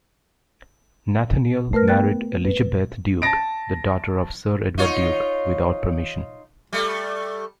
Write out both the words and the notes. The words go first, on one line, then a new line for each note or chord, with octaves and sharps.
Nathaniel married Elizabeth Duke, the daughter of Sir Edward Duke, without permission.
A3 A#4 B4 F6 A#6
B3 G5 F#6 A6
B4
A5 A6 A#6 D7
D#4 F4 C#5
G3 A3